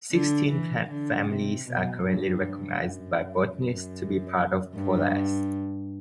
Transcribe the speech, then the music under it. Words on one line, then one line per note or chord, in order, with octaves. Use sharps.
Sixteen plant families are currently recognized by botanists to be part of Poales.
D3
E3
D3
C3
B2
G2
F#2
F#2
G2